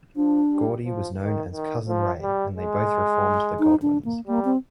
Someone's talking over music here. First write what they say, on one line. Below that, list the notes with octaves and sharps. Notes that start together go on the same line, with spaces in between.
Gordy was known as Cousin Ray and they both reformed The Godwinns.
F3 D4
G3
F3
D#3
D#3
F3
G3
G#3
D#4
D4
A#3
G3 A#3
C4